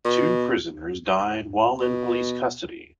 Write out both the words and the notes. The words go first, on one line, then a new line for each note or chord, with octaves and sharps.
Two prisoners died while in police custody.
B2
B2